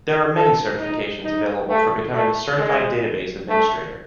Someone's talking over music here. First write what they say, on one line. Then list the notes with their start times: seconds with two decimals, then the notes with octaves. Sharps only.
There are many certifications available for becoming a certified database administrator.
0.35 A4
0.80 D#4
1.25 D#4
1.69 A3
2.14 A3
2.59 G#3
3.49 A3